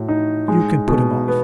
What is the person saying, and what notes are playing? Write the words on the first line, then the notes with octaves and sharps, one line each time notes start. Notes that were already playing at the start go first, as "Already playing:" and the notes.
'You can put him off.
Already playing: A2 F#4
D#4
G#3
B2
B3